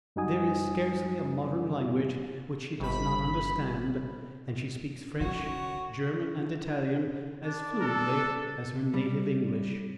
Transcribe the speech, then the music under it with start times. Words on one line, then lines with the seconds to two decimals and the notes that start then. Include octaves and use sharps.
There is scarcely a modern language which she does not understand, and she speaks French, German and Italian as fluently as her native English.
0.16 F#2 G3 D#4 F#4 G#5 D#6
2.79 G1 B5
5.21 C#3 F#4 C#5
7.45 D4
7.82 A4
8.94 G3